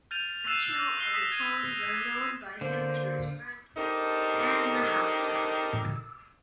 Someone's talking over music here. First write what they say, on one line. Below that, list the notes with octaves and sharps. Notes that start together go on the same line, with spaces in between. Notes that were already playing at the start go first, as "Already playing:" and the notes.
Two other poems are known by him, "To His Friend" and "The Housedove".
F6 G6 A6 D#7 F7
E6 F#6 A6 C7 D#7 E7
A#6
F#6 A#6 C7 G7
D#6 A#6 B6 E7
G#6 D#7 F7
D3 A#3 C5
C4 D4 D#4 G4 A4 A#4